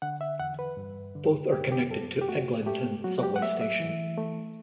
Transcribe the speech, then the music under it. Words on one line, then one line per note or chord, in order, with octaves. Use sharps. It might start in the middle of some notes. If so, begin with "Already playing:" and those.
Both are connected to Eglinton subway station.
D3 F#5
E5
E2 F#5
B4
G2
D3
F#2 G4
G4
F#2 A4
G4
A3 F#4
A3 G4
F#3 F#4
F#4
G4
F#5
A3 E5
E5
E3
A3